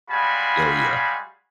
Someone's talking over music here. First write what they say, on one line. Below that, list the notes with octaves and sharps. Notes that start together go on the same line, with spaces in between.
Oh, yeah.
G3 G#3 F#4 F5 G#5 B5